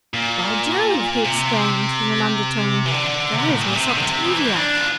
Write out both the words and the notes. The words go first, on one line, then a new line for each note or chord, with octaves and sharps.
"By Jove!" he exclaimed, in an undertone, "there is Miss Octavia."
A#2
C3
E3
D3
C3
A2
A#2
C3
D3
C3
F3
E3
C4
D4
F4